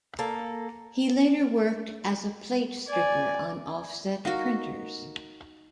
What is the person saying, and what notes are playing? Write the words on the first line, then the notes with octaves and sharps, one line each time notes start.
He later worked as a plate stripper on offset printers.
A#3 A4
D5 G#5
D#4 F#4 A#4 F5 F#5